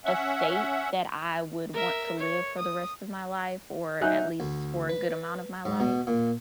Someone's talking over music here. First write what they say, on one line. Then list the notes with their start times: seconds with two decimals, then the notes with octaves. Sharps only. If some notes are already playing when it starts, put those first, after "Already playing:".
a state that I would want to live for the rest of my life or at least for a good amount of my life.
0.05 C#4 E5 F#5
1.73 A#4 E5
2.18 C#5
2.58 D#6
4.01 F#3 D#4 E5 G#5 F#6 G6
4.40 D2
4.89 B4
5.65 G#2
5.80 B2
6.07 A#2